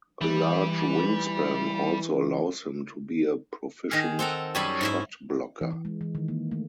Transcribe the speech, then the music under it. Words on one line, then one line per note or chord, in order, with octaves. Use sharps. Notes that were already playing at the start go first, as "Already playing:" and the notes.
A large wingspan also allows him to be a proficient shot-blocker.
E3 G3
D#3 G#4
C4 A4 F#5 A#5
F#2 G3 C#4 G#4 A4 B5
G#2 E4 E5
E3
E3
G#3
E3
D#3
A#3
A3